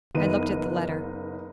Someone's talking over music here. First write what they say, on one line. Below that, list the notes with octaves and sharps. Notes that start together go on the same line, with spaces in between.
I looked at the letter.
F#1 B3 D#4 B4 D#7